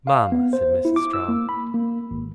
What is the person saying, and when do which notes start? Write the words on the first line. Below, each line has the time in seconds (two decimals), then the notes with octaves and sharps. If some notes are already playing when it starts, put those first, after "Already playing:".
'Mama!' said Mrs. Strong.
0.07 F5
0.32 B3
0.53 C5
0.85 E4
0.96 D6
1.13 E6
1.29 A#3
1.49 B5
1.74 A#3
2.11 G#1